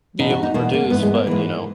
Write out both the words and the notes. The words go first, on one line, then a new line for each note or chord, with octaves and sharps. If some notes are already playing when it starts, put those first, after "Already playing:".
be able to produce, but, you know,
E2 B2 D#4
F#4
D#4
E2 B2 A#3
A#3
G#2 E3 B3
G#3
A#3
G#2 E3